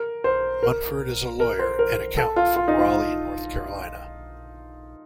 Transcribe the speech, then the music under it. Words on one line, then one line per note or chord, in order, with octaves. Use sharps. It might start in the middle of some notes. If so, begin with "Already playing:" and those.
Munford is a lawyer and accountant from Raleigh, North Carolina.
Already playing: A#4
C5
A#4
A#4
C5
A#4
A4
F4
F4
D#4
F4